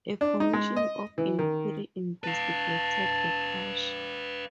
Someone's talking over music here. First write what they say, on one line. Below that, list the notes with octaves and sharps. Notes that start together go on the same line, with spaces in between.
A Commission of Inquiry investigated the crash.
D4
D#4
G#3
D#5
E3
D#3
B4 F5 A5